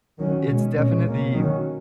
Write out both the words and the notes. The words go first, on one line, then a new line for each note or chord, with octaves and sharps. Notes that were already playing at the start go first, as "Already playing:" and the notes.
it's definitely
D#3 F#3 C#4
B2 G#3 C#4
A#2 G#3 C#4
B2 A#3 C#4
D#3 F#3 C#4